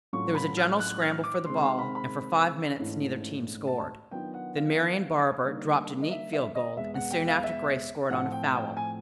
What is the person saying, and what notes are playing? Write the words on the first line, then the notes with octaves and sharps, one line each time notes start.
There was a general scramble for the ball, and for five minutes neither team scored; then Marian Barber dropped a neat field goal, and soon after Grace scored on a foul.
A2 F#3 A3 C#4 F4 C#6
B5
F6
F#6
F6
D6
C3 D#3 G#3 C4 C6
C6
B5
B5
G#2 E3 A3 C#4 E4
A5
D#3 F#3 B3 D4 F4 G5
F#5
F5
D3 G3 A#3 D#4
D#5
E5
E5
D#5
E2 B2 G#3 B3 E5
F#5
G5
F5
E5
A2 F3 A3 C4 F4 F#5
G5
G5
G#5